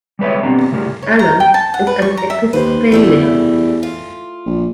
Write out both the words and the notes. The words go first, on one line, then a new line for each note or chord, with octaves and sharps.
Allen is an Episcopalian.
G3 G#3 B4 C#5 E5
B1 G3 B3 C4 D4 A#5
A2 C#3 G3 A#4
C#5
A#5
G5
A5
F#5
B4
C#6
A#5
E5
D#2 B4 C5
E2 G3 A3 E4
F4
A#1